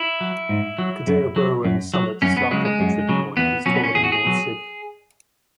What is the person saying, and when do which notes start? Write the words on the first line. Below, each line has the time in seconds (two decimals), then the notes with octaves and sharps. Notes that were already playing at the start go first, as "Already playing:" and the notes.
Cadair Berwyn's summit, south of the trig point, is taller than Moel Sych.
Already playing: E4
0.21 F#3
0.49 G#2
0.79 F#3
1.07 F#2
1.36 F#3
1.65 F#2
1.94 F#3
2.22 F#2 C#4
2.37 B3
2.51 C#3 F#3 G#3
2.65 G#3
2.80 F#2
3.09 C#3 F#3
3.37 E2 B3
3.66 B2 F#3 C#4
3.75 B3
3.84 C#4
3.95 E2 G#4
4.04 F#4
4.12 G#4
4.24 B2 F#3